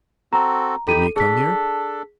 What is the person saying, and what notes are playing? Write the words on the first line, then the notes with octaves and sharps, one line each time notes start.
"Didn't he come here?"
C4 F#4 A4 A#5
D#4 G4 A4 B5 D#7
D4 G#4 A4 B6